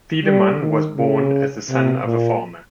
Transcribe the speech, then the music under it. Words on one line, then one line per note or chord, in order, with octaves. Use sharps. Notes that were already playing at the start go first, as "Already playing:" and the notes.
Thiedemann was born as the son of a farmer.
G3
D#3
C#3
C3
A#2